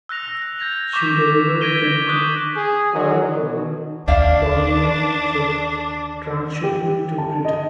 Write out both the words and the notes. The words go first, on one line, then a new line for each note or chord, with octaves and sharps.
She delivered them to Balikpapan, Borneo for transhipment to Britain.
E6 F#6 A#6 F7
G6 G#6 A#6 F7
C#6 D6 G6 A#6 B6 E7
G#6 A#6 B6 D7 D#7 G7
C#6 D#6 F#6 G6
G#4
F#3
B2
D#2 D4 D5 E5 F5
G4
A5
D#5